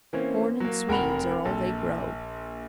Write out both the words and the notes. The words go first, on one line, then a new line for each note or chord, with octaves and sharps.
Corn and swedes are all they grow.
E3 A#3 C4 C#4
F#3 A#3
F1 A#4 F#5 B5 F7
A#1 A4